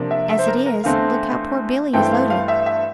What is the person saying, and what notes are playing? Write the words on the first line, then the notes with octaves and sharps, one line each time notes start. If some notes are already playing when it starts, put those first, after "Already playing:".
As it is, look how poor Billy is loaded.
Already playing: C3 F3 A#3 D4
E5
E5
C5
A#4
A#4
E2 D3 A3 C4 F5
G2 E3 A3 C4 G5
F5
F5
E5
E5